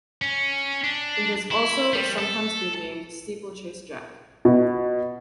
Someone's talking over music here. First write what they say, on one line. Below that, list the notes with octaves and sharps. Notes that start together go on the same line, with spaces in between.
It has also sometimes been named Steeplechase Jack.
C#4
D4
E4
G3
A4
B2